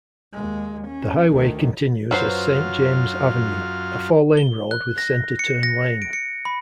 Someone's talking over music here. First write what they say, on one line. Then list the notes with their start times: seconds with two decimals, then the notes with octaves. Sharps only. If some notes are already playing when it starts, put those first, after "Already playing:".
The highway continues as Saint James Avenue, a four-lane road with center turn lane.
0.33 D#2 G#3
0.88 C#4
1.28 D2 D#3
2.11 F#2 F#3 F4 B4 C5
4.37 G7
4.71 F#6
4.98 A#6
5.39 C#7
5.63 A#6
6.02 D7
6.13 C#7
6.45 B5